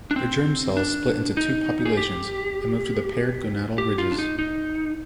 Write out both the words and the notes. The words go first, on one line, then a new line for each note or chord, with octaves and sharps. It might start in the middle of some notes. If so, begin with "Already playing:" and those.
The germ cells split into two populations and move to the paired gonadal ridges.
D4
C4
D4
D#4
G#4
G4
G4
F4
D4
D#4
D#4